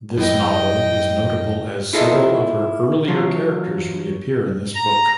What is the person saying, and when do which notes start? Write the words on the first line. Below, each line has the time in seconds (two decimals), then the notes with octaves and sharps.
This novel is notable as several of her earlier characters reappear in this book.
0.17 F#2 E3 E4 D#5 G5
1.93 E4 F4 G#4 A4 D#5
3.08 E3 F#3 F4
4.74 A#5